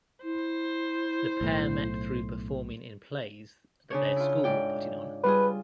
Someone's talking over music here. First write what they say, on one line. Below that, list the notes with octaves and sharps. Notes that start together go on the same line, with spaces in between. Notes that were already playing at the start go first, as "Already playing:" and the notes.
The pair met through performing in plays that their school were putting on.
E4 C5
B1 A2
C#3 D4 C#5
E4 F4
G#2 D5 G5
G3 F4 G#4 B4